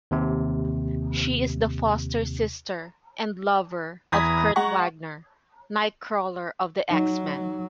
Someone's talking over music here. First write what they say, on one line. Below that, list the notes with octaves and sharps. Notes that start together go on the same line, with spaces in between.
She is the foster sister and lover of Kurt Wagner, Nightcrawler of the X-Men.
D#2 C3
E2 A#5 B5 D#6 G#6 B6
G#3 F#5 A#5 C#6
F#3 D#4